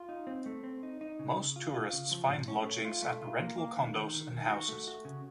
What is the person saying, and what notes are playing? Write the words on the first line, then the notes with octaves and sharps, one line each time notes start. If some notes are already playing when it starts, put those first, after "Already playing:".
Most tourists find lodgings at rental condos and houses.
Already playing: F4
D#4
C4
A3
C4
D#4
D#4
C#3
C#3
F4
F4
C#3
F3
A2
C#4
A3
F4
A3
F4
A#3
A#3
D#3
D#3
D#3
D#3
F#4
A3
F#4
C#3